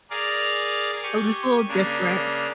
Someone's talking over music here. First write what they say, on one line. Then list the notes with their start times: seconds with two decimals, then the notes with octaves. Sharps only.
uh, just a little different.
0.10 G#4 A#4 D5 F5
1.03 G4 G#5 C#6
1.68 C#3 A#3 D4